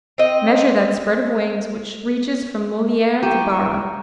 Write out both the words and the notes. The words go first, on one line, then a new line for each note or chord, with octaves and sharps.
Measure that spread of wings which reaches from Moliere to Barra.
C4 D#5
E4 G4 G5 A#5 C#6 D#7 E7